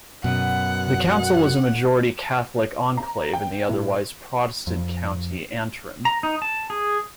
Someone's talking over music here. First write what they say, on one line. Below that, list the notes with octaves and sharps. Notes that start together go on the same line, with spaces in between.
The council was a majority Catholic enclave in the otherwise Protestant County Antrim.
F#2 B2 F#5
A#5
G5
A2
F2
A#5
D#4
A5
G#4